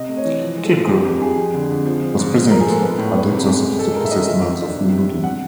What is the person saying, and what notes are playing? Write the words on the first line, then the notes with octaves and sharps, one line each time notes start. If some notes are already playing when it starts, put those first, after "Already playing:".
Killigrew was present at the exorcism of the possessed nuns of Loudun.
Already playing: C3 D#5
A3
C#5
E3
F3
G#3
A4
F3
G#4
F2 G4
F2 G4
F3 G#4
F2
D3
F2
F3
F3
G#2
F3
F3 A#4
G#4
G#3 A4
B3
A2
B3
C3
G#3
G#3
G#3 A4
G#3 A#4
E5
D#3 D#5
F3 E5
F3
D4
C3
G3
C3
F#5